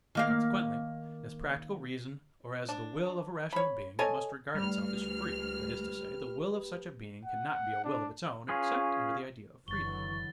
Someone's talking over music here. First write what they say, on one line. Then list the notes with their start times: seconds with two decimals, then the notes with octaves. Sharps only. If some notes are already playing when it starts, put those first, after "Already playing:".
Consequently as practical reason or as the will of a rational being it must regard itself as free, that is to say, the will of such a being cannot be a will of its own except under the idea of freedom.
0.15 D#3 A#3 F5
2.69 D4
3.53 C#5 B5
3.99 A4 C#5 D#5 G#5
4.55 D2 G3 G4 B4 F6
7.25 F#5
7.85 D4
8.49 C#4 F4 G#4 B4
9.68 F#1 D3 E3 F#3 C#6 A6 G7